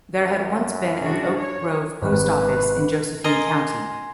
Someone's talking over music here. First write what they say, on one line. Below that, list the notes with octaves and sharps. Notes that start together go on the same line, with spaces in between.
There had once been an Oak Grove post office in Josephine County.
F#2
C#3 D4 F#4
C#5
G#1 B4
A#4 D#5 G#5 C6 A6